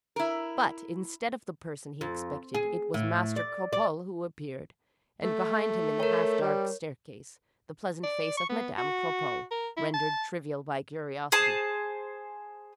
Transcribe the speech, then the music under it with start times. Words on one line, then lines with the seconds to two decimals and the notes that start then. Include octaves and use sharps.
But, instead of the person he expected, it was Master Cropole who appeared, and behind him, in the half-dark staircase, the pleasant face of Madame Cropole, rendered trivial by curiosity.
0.16 E4 A#4
2.01 F2
2.54 G#4
2.94 A2
3.36 D5
3.73 D5
5.23 A3
6.00 A#4 C#5
6.41 G3
8.03 D5
8.37 C#6
8.50 B3
8.78 F#4
9.51 A#4
9.77 E4
9.94 A5
11.32 G#4 C5 A5